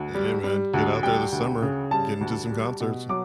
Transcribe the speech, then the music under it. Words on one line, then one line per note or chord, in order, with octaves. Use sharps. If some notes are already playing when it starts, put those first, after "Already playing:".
H hey, man, get out there this summer. Get into some concerts.
Already playing: D2
G3
G3
D2
G3 G5
D2
C#3
G3 A5
D2
G3
B2
F#3 D6